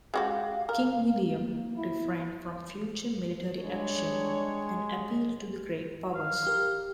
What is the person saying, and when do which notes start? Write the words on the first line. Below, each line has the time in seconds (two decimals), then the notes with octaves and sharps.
King William refrained from future military action and appealed to the Great Powers.
0.14 G#3 F#4 G4 F5
0.69 A#4
1.43 A#3
1.75 E4
1.96 B3
3.63 G3 G#3 D4 C#5
6.15 F5
6.47 G4 A#4